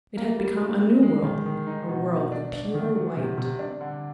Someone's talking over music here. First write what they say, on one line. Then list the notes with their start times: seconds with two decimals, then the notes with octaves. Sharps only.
It had become a new world, a world of pure white.
0.17 A#3
0.38 G3
0.60 A#3
0.81 D4
1.03 G#3
1.23 D#3
1.46 D#3
1.67 D#4
1.89 B2
2.10 B2
2.32 D4
2.53 D4
2.74 D#3
2.95 F#3
3.17 C3
3.38 C3
3.59 D4
3.81 D3